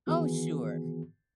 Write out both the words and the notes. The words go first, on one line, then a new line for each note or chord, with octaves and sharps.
Oh, sure.
D#3 E3 B3 F#4 G#4